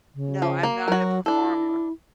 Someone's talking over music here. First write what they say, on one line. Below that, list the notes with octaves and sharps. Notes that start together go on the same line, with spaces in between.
No, I'm not a performer.
C#3
F3
A#3
F#3 F#4 A#4
D4 E4 A4